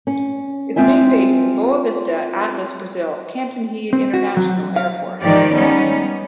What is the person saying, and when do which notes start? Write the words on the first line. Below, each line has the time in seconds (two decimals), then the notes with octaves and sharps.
Its main base is Boa Vista-Atlas Brazil Cantanhede International Airport.
0.07 C#4
0.76 G#3 C4 F4 E5 G#5
3.93 C4
4.14 F#4
4.37 F#3
4.76 F5
5.21 G#2 D#3 F3 G4 D5
5.53 G3 G#3 B3 C#4 D#4